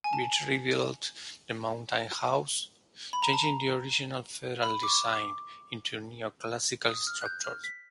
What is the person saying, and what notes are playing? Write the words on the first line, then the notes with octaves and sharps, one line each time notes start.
Beach rebuilt the Mountain House, changing the original Federal design into a neo-classical structure.
G#5
A5
B5
A#5
A5
A#5
B5
D6
C#6
D6
D#6
F6
F#6
G6
F6
B6